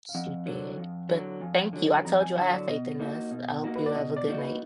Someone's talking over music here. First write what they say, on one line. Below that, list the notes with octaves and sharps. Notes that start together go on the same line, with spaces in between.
She did, but thank you. I told you I have faith in this. I hope you have a good night.
F5
F2 F#5
D3 F#3
F2
D3 F#3
F2 G#5
D3 F#3
F2 A#5
G#5
D3 F#3 F#5
D5
B2 D#5
A#3 D#4 F#4
B2
A#3 D#4 F#4
B4
D5
B2 D#5
D5
A#3 D#4 F#4
B4